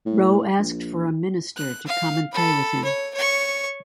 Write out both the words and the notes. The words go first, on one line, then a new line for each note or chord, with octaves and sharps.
Wroe asked for a minister to come and pray with him.
A2
A#1
F#6
F5
A4 B5
C#5
C#5 C#6